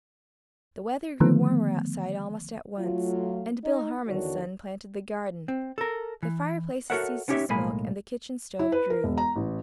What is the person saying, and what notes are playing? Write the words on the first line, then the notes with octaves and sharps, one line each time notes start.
The weather grew warmer outside almost at once, and Bill Harmon's son planted the garden. The fireplaces ceased to smoke and the kitchen stove drew.
D3 D#3 F3 A3 B3
F#3 A3 F4
D#4 D#5
E2 D3 D#3 D4 F#4 C#5
C4
A4 A#4
E3
F#4 A4 A#4 C#5 E5 F#5
B3 C#4 D#4 G4 C#5 E5
B1 A2 G#3 A#3 G#5 B5
E4
B4
A#4
E1
A#5
A1